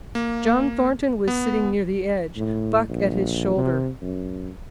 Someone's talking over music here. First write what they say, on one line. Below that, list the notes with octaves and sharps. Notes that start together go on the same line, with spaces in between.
John Thornton was sitting near the edge, Buck at his shoulder.
A#3
B3
A2
A#1
C3
F#2